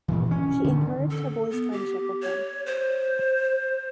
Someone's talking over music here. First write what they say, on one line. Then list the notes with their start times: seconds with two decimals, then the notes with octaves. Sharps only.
She encouraged her boys' friendship with him.
0.08 A#2 E3
0.31 C#4
0.64 D3 D#3
1.11 A4
1.51 B3
1.72 G4
2.22 C#5
2.66 C5